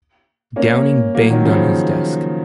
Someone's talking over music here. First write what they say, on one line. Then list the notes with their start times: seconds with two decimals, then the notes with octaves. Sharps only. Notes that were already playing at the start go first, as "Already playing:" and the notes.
Downing banged on his desk.
0.56 A#3 C#4
1.15 F#3 A#3
1.30 D#3 F#3
1.45 C#3 F3